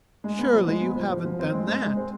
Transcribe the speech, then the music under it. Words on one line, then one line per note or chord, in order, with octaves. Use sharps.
"Surely you haven't done that?"
G#3
B3
F3
G#3
B3
F3
F3
F3
C4
G#3
G#3
G#3
C4